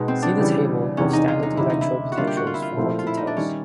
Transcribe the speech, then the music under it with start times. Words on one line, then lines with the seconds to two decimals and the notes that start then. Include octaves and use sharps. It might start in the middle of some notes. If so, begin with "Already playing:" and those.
See the "table" of standard electrode potentials for more details.
Already playing: B2 G#3 B3 D#4
0.08 C4
0.22 D4
0.38 C#3 E3 G3
0.97 E2 C3 D#3 C#4
1.13 D#4
1.28 F4
1.43 D#4
1.57 E1 D2 C3 E3 E4
1.70 D#4
1.81 E4
2.12 F#4
2.17 D3 G3 A#3 F4
2.27 G4
2.37 F#4
2.47 F4
2.54 E4
2.62 F4
2.77 A#2 F3 A3 C4 E4
2.99 F4
3.07 E4
3.17 D#4
3.27 D4
3.37 D#3 G3 C#4